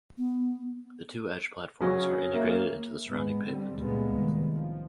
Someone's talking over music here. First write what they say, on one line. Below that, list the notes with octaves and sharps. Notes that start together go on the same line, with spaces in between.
The two edge platforms are integrated into the surrounding pavement.
B3
C#3 F#3 C#4
A#3 A#4 E5
G#2 G#3 B3
D3 G3 C4
C#2 A#2 G3 G#3 A#3 B3
C2 A2 D#3
F3